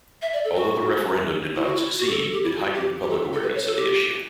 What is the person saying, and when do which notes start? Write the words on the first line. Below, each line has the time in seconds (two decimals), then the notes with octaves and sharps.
Although the referendum did not succeed, it heightened public awareness of the issue.
0.22 E5
0.33 D5
0.45 A4
0.56 F#4
1.55 E4
1.65 F#4
1.75 E4
2.00 F#4
2.07 G4
2.11 A4
2.22 A4
2.33 G4
2.44 E4
2.59 F#4
2.74 G4
3.02 G4
3.10 A4
3.33 A4
3.43 B4
3.55 C#5
3.66 A4
3.77 G4